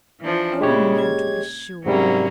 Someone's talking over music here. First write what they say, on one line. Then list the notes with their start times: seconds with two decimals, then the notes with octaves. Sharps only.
Oh, no! to be sure.
0.21 E3 F3 D4
0.61 A#2 C#3 G#3 E4 G4 C#5
0.97 G#6
1.86 G#2 C3 F#3 G3 A#3 C#4